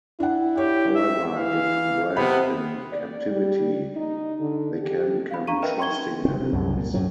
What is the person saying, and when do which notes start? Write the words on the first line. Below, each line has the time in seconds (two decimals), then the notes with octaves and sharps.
However, if bred in captivity, they can become trusting animals.
0.20 D4 E4 F#5
0.57 G4 C#5
0.95 E5
1.35 E3 F5
2.17 C3 B3 B5
2.93 D5
3.31 G3
3.96 D#4
4.40 D3
4.81 G4
5.31 F5 B5
5.47 D4 F5 A#5 C#6 D#7
5.62 A#4 B4 D#5 E5 G5
5.78 G5 C6 C#6 G#6 G7
5.91 D#4
6.25 C#3 C4
6.40 C3
6.53 C2 F#2
6.77 A#2
6.93 F#2 A2 F#3